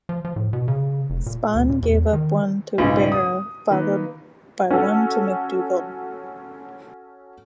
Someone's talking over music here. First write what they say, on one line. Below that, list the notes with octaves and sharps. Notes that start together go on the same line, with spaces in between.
Spahn gave up one to Berra, followed by one to McDougald.
F3
F3
A2
B2
C#3
F1
A#2
D2
A#2
E2
D#3
B1 G#2 C#3 F4
D#6
D#3 A#3 B4
C#4 F#4 A4